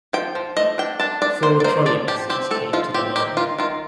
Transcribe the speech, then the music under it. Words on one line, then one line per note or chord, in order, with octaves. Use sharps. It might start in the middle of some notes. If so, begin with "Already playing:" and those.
Four trolleybuses came to the line.
F3 G5
F3
A3 D#5
D4 G5
D4 A5
D4 D5
A#3 C5
D5
A#3 C5
F3 D5
F3 G4
C4 G4
A3 A4
F3 F4
C4 G4
D#3 G4
D#3 F4
D#3 F4